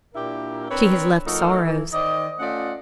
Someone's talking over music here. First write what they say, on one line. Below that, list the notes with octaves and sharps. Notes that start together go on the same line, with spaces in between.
She has left sorrows.
A#2 D4 E4 G4 A#4
C4 D4 A#4 B4 C#5
F3 A3 D#4 F#4 A4 A#4
E3
D#3 C5 D5 D#5
A3 C#4 F4 D5 D#5 F#5